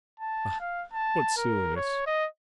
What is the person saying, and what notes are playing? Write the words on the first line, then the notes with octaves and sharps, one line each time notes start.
Ah, what silliness!
A5
F5
A5
A#4
C#5
D#5